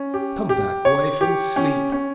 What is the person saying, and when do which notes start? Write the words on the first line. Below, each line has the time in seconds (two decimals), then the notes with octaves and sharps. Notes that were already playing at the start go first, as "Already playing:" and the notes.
"Come back, wife, and sleep."
Already playing: C#4
0.14 G4
0.49 G4
0.85 C#5
1.21 G4
1.56 C#4
1.92 C#4